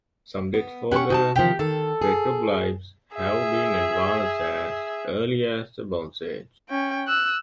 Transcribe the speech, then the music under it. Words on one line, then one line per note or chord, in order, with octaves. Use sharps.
Some dates for the petroglyphs have been advanced as early as the Bronze Age.
B3
C#4 G4 F#5 G#5 C#6
D#4 F#4 G#5 A5
C3 D#3 F3 G4
D#3 A4
G#4
G#4 E5
C#4 G5
E6 F#6